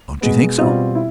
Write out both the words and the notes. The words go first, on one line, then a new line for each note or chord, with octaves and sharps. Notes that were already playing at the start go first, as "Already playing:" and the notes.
"Don't you think so?"
B2 G#3 B3
B2 G3 C4 F4
E4